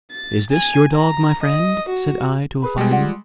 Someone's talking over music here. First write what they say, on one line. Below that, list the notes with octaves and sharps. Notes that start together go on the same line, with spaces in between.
'Is this your dog, my friend?' said I to a fireman.
A6
G#5
A#5
D#5
F#4
G#4 B4 B5
G3 G#3 G5 G#5
F4 D5 F#5